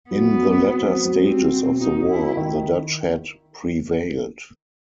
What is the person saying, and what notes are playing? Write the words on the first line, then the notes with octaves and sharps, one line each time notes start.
In the latter stages of the war, the Dutch had prevailed.
F#3 B3
F#3
F#3
C4
F#3
F#3
G3 C4
F#4
B2
D#4 F#4
F#4
E4
F#4
D#3